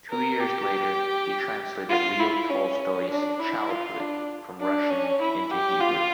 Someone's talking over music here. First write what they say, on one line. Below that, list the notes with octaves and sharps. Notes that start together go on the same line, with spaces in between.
Two years later, he translated Leo Tolstoy's "Childhood" from Russian into Hebrew.
A#4
G4
F4
E4
C#4
D4
E4
F4
D4
D4
C#4
E4
G4
F4